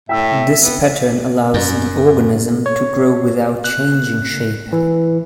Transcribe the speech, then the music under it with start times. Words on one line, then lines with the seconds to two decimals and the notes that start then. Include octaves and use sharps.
This pattern allows the organism to grow without changing shape.
0.09 A2 E5 G5 E6
0.61 B3
1.54 F#2
2.66 C#5
3.64 F#6
4.73 E3